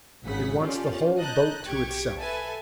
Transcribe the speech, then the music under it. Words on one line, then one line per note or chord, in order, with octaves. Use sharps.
It wants the whole boat to itself.
G#1 C#3 G#4 F#5 B6
C#4 F4 G4 A4 D5
D#5 A5 A#5 F#6 G6
B1 G4 C#6 G#6
A4 B4 E5 G#5 A5